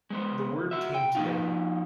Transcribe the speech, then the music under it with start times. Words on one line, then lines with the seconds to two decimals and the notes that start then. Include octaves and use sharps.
The word came today.
0.10 G#3 B3 C5
0.71 F#4 E5
0.95 G5
1.15 F3 A#3 D#4 F4